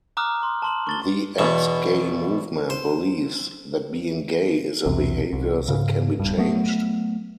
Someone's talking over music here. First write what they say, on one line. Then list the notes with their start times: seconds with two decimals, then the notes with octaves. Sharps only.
The Ex-Gay Movement believes that being gay is a behavior that can be changed.
0.17 A#5 D6 D#6 F6 F#6
0.43 C6
0.62 A5 C6 F#7
0.87 C#6 A6 G7
1.39 E2 B2
2.70 C5
4.86 B1 E2 C3
5.33 C2
5.68 G#2 C#3
6.20 D1 G2
6.37 F#3 A3 B3